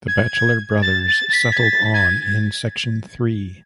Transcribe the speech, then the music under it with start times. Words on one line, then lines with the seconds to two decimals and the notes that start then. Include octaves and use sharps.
The bachelor brothers settled on in section three.
0.08 G#6
0.82 A6
1.07 A6
1.29 A6
1.33 B6
1.52 G#6
1.57 A6
1.94 G#6